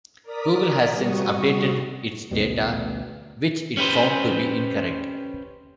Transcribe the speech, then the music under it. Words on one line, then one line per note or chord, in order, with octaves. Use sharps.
Google has since updated its data which it found to be incorrect.
A#4 D5 A#5 D#6 B6
C3 G3 F#4 C#6 D#6
A1 D2 B2 G3
C#4 G4 B4 C5